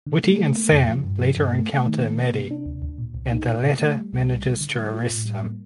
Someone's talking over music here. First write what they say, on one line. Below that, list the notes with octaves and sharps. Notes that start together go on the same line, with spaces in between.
Witty and Sam later encounter Maddie and the latter manages to arrest him.
D3
A3
A3
A#3
F2
F3
G2
F3
G2
A3
A3
D#3
A#3
A#3
C3
D4
D2
D2
A#2
C2
D#4
A#2
A#2
A3
G3
C2
G3
D3
D3
G3
F4
A2
G3
A#3